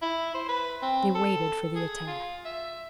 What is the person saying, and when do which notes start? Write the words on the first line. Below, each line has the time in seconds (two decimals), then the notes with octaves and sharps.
They waited for the attack.
0.02 E4
0.34 C5
0.49 B4
0.82 C4
1.15 A4
1.75 G#4
2.07 F4
2.45 E5